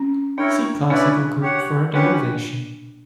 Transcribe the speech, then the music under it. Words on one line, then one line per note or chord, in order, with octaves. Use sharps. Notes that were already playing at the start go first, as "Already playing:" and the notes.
See classical group for a derivation.
Already playing: C#4
D4 E4 A#4 C#5 G5
C#4 D4 E4 B4 D5
G4 C#5 F#5
C#4 D4 G4 B4 F#5